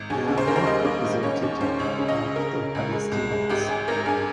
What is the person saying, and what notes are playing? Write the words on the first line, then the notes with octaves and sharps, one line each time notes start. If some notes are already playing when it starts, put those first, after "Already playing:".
They are not representative of the Palestinians.
Already playing: G#1
D#2 G#4
C#3
C5
D#2 A#4
C5
G3 D#5
A#3
G#2
C#4 C#5
D#2
C#4 C5
C#2 C#5
C#3
D#5
C#3
C#3 A#4
C#3
C#2
G#3
C2
G#3
G#1 G4
G#1 G#4
G#1 A#4
G2 G#4